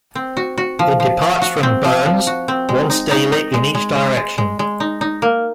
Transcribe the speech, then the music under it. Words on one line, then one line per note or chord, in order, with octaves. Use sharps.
It departs from Burns once daily in each direction.
C4
F#4
F#4
F3
F3
F3
F#4
C4
F3
F3
F#4
C4
G#3
D#4
D#4
D#4
G#3
G#3
G#3
G#3
G#3
G#3
D#4
D#4
A#3